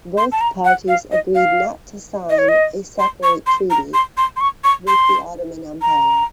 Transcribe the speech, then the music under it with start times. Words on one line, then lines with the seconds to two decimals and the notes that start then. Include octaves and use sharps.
Both parties agreed not to sign a separate treaty with the Ottoman Empire.
0.18 C6
0.32 A5
0.41 A#5
0.65 F#5
0.88 F5
1.12 D#5
1.35 F5
2.29 D#5
2.38 C#5
2.49 D#5
2.99 C6
3.23 C#6
3.47 C6
3.70 A#5
3.94 C6
4.17 C6
4.36 C6
4.41 C#6
4.64 C#6
4.87 C6
5.82 A#5